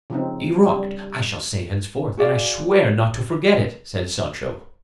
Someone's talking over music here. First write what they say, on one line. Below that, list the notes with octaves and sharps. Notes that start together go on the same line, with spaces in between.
"Eruct, I shall say henceforth, and I swear not to forget it," said Sancho.
C#3 F3 C4 D#4
G3
F#4 G#4 D5 F5